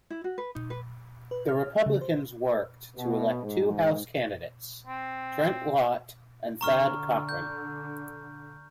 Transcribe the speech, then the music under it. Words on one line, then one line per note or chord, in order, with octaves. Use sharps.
The Republicans worked to elect two House candidates, Trent Lott and Thad Cochran.
E4
F#4
B4
D#4
B4
B4
F6
C#3
C5
B2
G#2
C4
D3 A#5 C#6 F6
G6